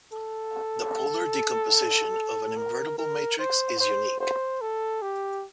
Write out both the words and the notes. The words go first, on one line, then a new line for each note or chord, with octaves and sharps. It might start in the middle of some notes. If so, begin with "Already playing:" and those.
The polar decomposition of an invertible matrix is unique.
A4
A#4
A#4
C5
C5
C5
A4
G4